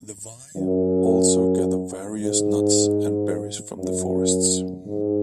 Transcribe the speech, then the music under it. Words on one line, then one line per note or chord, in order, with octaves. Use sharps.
The Vai also gather various nuts and berries from the forests.
F#2
G#2
F#2
G#2